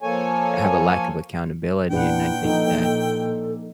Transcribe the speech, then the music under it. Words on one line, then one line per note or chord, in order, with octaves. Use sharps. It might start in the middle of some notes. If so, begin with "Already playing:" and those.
have a lack of accountability, and I think that
F3 A#3 A4 C#5 G#5
A#2 D4 E4 B4 F#5 G5
F3 D#4 A4